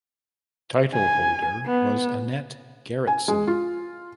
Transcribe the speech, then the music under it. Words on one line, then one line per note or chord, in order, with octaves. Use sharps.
Title holder was Annette Gerritsen.
G#5
B3
G#5
G#3
F4